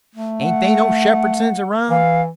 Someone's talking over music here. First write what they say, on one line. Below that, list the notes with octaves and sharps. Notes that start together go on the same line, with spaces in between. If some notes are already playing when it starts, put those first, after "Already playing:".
"Ain't they no Shepherdsons around?"
A3
F#5
E3 F5